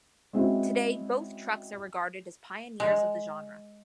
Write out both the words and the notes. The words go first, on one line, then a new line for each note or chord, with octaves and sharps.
Today, both trucks are regarded as pioneers of the genre.
G#3 C4 C#4 E4 F#4
G#3